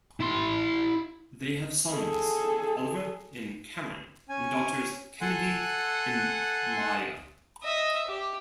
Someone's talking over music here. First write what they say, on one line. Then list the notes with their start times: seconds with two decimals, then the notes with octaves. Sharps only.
They have sons - Oliver and Cameron, and daughters Kennedy and Maya.
0.21 E4 C6
1.93 G#4 A4
4.29 C#4 G#5
5.21 A4 F#5 G#5 C6 F#6
7.63 D#5 E5
8.08 G4